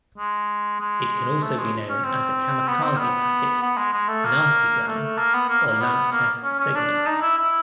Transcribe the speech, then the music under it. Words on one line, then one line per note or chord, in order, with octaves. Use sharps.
It can also be known as a "kamikaze packet", "nastygram", or "lamp test segment".
G#3
G#3
A3
G#3
C#4
C4
B3
C4
A#3
B3
B3
G#3
G#3
A3
A#3
A3
A#3
B3
A#3
A#3
B3
A#3
C#4
C#4
D4
D#4
E4
E4